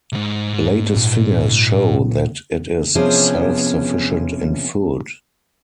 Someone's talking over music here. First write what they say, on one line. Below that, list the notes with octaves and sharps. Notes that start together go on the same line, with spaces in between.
Latest figures show that it is self-sufficient in food.
C2 G#2
A#2
C3 F3 B3 C#4 D4 G#4